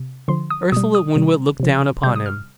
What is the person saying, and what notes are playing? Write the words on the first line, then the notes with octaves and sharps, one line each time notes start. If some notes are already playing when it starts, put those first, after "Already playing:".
Ursula Winwood looked down upon him.
Already playing: C3
D3 F3 C6
D#6
B2 G3 D#6
D#6
C3 D#3 G3
C3 F3
C3 G3 G6
D#6
F6